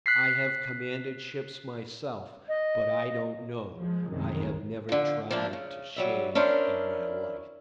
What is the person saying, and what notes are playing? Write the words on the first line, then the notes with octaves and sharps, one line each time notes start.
I have commanded ships myself, but I don't know; I have never tried to shave in my life.
F#6 B6 C7
D#5
F3 G#3
C2 F#2 D#3 G#3
D3 F3
F3 A#3 D4 E4
C#3
F#3 G3 E5
C#4 D4 E4 A#4 C5